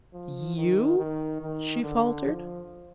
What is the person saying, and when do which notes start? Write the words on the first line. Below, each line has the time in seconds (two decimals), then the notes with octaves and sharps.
"You?" she faltered.
0.13 F3
0.56 D#3
0.98 D#3
1.41 D#3
1.83 D3
2.25 F3